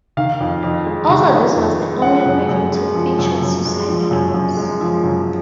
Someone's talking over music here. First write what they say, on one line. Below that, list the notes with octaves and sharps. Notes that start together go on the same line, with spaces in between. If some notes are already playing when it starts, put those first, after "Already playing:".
Also this was the only version to feature suicide doors.
D#3 F5
F2
F2
G#3
D#3
F2
F2
G#3
F3 F#5
F#2
F#2
G#3
F3
F#2
F#2
G#3
F3
F#2
F#2
G#3
F3
F#2